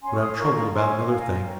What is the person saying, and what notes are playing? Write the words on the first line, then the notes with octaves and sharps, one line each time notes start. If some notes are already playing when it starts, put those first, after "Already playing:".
But I am troubled about another thing.
C#4 G#5 C6
C#6
C6 D#6
F4 A#4 A#5 C#6
A#5 C#6
C#4 G#5 C6
F4 A#4 F5 G#5
C#4 G5 A#5